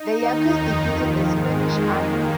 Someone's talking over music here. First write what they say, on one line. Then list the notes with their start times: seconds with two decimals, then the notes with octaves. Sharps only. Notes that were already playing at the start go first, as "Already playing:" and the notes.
The Yaquis defeated the Spanish army.
Already playing: D#4
0.19 D#2 D#3
0.54 F2 D#3
0.88 D#2 D#3 F3
1.22 G#2 D#3 G#3
1.57 F2 D#3
1.91 D#2 D#3 A#3